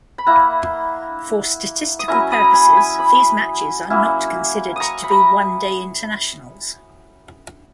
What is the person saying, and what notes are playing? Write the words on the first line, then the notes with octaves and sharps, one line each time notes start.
For statistical purposes, these matches are not considered to be One Day Internationals.
B5
A#3 E4 F#5 A#5
D#6
F#3 C#4 E4 A#5 C#6
B5 D#6
A#5
G#5 B5
G#5 B5
B5 D#6
F#3 A#3 C#4 E4
A#5 C#6 D#6
B5
A#5 C#6